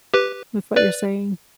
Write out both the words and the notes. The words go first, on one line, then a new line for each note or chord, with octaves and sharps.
with what you're saying.
G4 B4
B4 D5